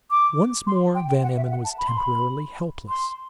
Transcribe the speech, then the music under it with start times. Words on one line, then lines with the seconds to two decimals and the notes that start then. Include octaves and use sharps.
Once more Van Emmon was temporarily helpless.
0.11 D6
0.67 C6
0.95 G5
1.09 G5
1.23 F#5
1.37 E5
1.51 F#5
1.64 A5
1.78 B5
1.88 C6
1.98 B5
2.89 C6